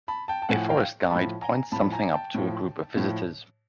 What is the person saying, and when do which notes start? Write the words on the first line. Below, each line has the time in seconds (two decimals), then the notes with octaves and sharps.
A forest guide points something up to a group of visitors.
0.08 A5 B5
0.28 G5 A5
0.42 A5
0.49 A2 F3 F#5 G#5
0.69 F5 G5
1.10 A2 F3 A5 B5
1.42 G#5 A#5
1.72 A2 F3 A5 B5
1.92 G#5 A#5
2.13 G5 A5
2.34 A2 F3
2.96 A2 F3